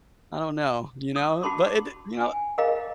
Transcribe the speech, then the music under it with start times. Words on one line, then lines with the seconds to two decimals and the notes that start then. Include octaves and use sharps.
I don't know." You know? But it d you know
1.16 D#6
1.43 F#4 G4 A5 B5 C6 D6
2.21 G#5
2.58 G#4 A#4 D#5 F5 A#5